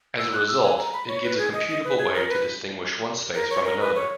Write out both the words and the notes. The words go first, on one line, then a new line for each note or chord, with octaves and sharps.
As a result, it gives a computable way to distinguish one space from another.
E6
F#6
E6
G#5
A#5
B5
C#5
B4
G#4
D#5
D#5
B4
G#4
A#4
B4
A#4
C#5
A#4
B4
C#5